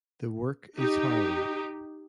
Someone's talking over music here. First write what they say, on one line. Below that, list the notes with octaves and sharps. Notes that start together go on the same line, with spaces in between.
The work is harrowing.
D#4 G4